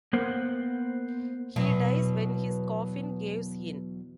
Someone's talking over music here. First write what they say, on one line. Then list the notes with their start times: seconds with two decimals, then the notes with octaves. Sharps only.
He dies when his coffin caves in.
0.13 A#3 B3 A#4 C5 F#5 G5
1.56 E2 B2 F#3